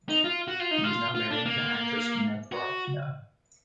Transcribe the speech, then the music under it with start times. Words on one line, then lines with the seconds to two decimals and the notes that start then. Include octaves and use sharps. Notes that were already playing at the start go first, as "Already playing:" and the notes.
He is now married to actress Inna Korobkina.
0.09 D#4
0.24 F4
0.48 F#4
0.60 F4
0.71 D#4
0.84 F4
1.15 F4
1.31 D4
1.45 A#3
2.52 F#4